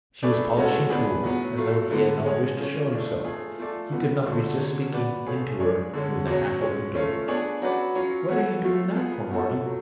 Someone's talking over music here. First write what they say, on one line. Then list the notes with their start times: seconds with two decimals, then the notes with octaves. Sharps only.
She was polishing tools, and though he had not wished to show himself, he could not resist speaking in to her through the half-open door. "What are you doing that for, Marty?"
0.23 A3 D4 G#4 B4 D5
0.57 A2 G#3 C#4 F#4 A4
0.89 F3 B3 D4 G#4 B4
1.23 A2 F#3 B3
1.57 F#3 A3 F4
1.90 D3 G#3 B3
2.24 G#3 C#4 G#4 C#5
2.57 C#3 F3 G#3 C#4
2.91 A2 F3 A3 D4
3.25 A3 F4 G#4
3.58 F3 A3 F4 A4 D5
3.92 C#3 F3 G#3 B3 F#4
4.25 D3 F#3 A3 D4
4.60 D3 F#3 C#4
4.93 B3 F#4 B4 D5
5.27 F3 A3 C#4 F4 G#4
5.60 G#3 D4 G#4 C#5
5.93 D3 G#3 C#4
6.27 B2 F#3 C#4
6.61 F3 G#3 C#4
6.95 A3 C#4 F4
7.28 B3 D4 G#4 C#5
7.62 F#3 C#4 F#4 B4 D5
7.95 F#3 C#4 F4
8.29 B3 F#4 A4 C#5
8.62 F3 A3 F4 A4
8.96 B3 F4 G#4
9.29 F3 B3 F#4 A4
9.63 F#3 A3